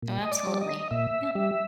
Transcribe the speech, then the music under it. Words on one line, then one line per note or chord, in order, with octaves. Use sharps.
Oh, absolutely. Yeah.
A#2
D#5
D5
G3
D#5
A#2 E5
G3 E5